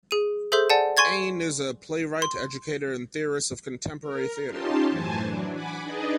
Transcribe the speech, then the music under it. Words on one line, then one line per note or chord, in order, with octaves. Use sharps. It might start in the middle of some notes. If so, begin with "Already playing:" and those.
Ehn is a playwright, educator and theorist of contemporary theater.
G#4 D#7
G#4 A4 C5 E5 C6 G6
D5 F#5 G#5 A5
G#5 C6 C#6 G#6 A6
C6
A#4
C#4 D#4 F4 G4 A5 C6
F#2 A2 E3 C5 G#5 A5
E3 F#3 D4
F#5 G#5 B5 D6
D4 D#4 G#4 B4 D5 D#5